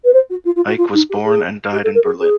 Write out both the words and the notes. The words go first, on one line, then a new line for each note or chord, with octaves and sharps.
Eicke was born and died in Berlin.
B4
C5
F#4
F4
F4
F#4
F4
D#4
G4
G#4
G4
A4
A#4
G#4
G#4